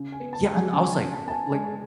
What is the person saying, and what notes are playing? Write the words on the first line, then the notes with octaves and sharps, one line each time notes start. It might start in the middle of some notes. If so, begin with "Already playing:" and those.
Yeah, and I was like like
Already playing: C#3
G#5
B3
A5
G#3
G#5
C#3 G#5
A5
C#3
A5
B3 A5
G#5
G#3 G#5